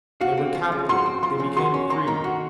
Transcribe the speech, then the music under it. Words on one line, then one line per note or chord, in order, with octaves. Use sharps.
They were captive; they became free.
F#4 F5
C4
F3
C#3
F#4 C6
C4
F3 C6
C#3
F#4 C6
C#4 C#6
A#3 C6
D#3 A#5
F#4 C#6